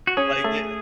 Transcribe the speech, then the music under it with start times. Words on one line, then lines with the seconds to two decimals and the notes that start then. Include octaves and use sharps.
like, the
0.07 F#4
0.17 C#4 G#4
0.44 A3